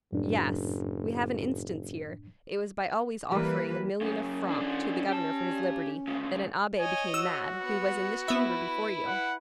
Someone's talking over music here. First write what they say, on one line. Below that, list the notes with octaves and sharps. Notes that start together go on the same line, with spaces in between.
"Yes; we have an instance here; it was by always offering a million of francs to the governor for his liberty that an abbe became mad, who was in this chamber before you."
F#1 F#2 A2 D4
E3 G3 A#3 B4
F#2 C#3 C#4
E3 D4
G4 A5
D2 C#3
C#5 D#5 G#5
F#4 E6
B3 F#5
B3 E4 B4 E5
F#5